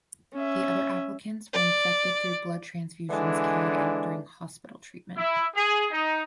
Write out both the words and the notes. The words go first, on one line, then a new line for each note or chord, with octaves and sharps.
The other applicants were infected through blood transfusions carried out during hospital treatment.
C#4 E5
D5
D3 E3 G#3 D4
E4
G#4
D#4